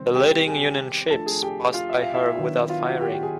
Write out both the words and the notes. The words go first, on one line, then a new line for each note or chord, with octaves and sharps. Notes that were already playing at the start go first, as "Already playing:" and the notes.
The leading Union ships passed by her without firing.
Already playing: C3 D#3 G3 B3 C4 C5
G4 G5
G#4 G#5
F3 A3 D4 A4 A5
G#4 G#5
G4 G5
F4 F5
E5
F5
E4 E5
D#3 F#3 B3 D4
F4 F5
F#4 F#5
G4 G5
G4 G5
G#4 G#5